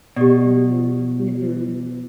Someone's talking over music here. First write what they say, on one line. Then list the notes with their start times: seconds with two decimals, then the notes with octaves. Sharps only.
Mhm, mhm.
0.16 B2 G4 D5